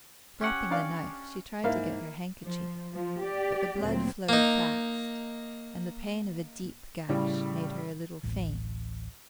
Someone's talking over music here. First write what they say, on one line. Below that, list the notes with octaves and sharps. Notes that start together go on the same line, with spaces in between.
Dropping the knife, she tried to get her handkerchief, but the blood flowed fast, and the pain of a deep gash made her a little faint.
C#4 G4 F#5
D4 D5 F5
G#2 A#3 E4 F5
F3
F3
G4 D5
D2 A#2 F#3 C4
A#3 D#4
A2 C#3 G3
D1 A1